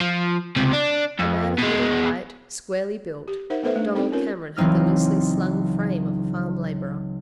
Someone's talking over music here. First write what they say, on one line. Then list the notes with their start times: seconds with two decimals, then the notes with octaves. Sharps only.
A man of middle height, squarely built, Donald Cameron had the loosely slung frame of a farm labourer.
0.01 F3
0.56 C#2 C3
0.73 D4
1.19 F2
1.58 B2 G#3
3.28 G4
3.50 D#4 A#4 C5 E5 F#5
3.63 A3 B3 A4 B4 C5 E5
3.76 A3 D4
3.95 C4 D#4 A4 C5 G5
4.12 C#4 F4 A#4 C#5
4.57 C#2 E3 F#3 C4 D#4 F6